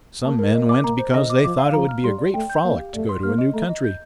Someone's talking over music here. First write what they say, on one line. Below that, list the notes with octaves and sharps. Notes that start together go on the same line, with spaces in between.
Some men went because they thought it would be a great frolic to go to a new country.
A#3 A5
A#4
A#3 D#5
D6
A#3 A#5
C5
D3 D#5
D6
F3 D6
F5
F3 A#5
F6
G3 C6
D5
A3 G5
G6
A#3 F5
G4
A3 D5
C6
A#3 F6
D#5
A3 A#5
D#5
G6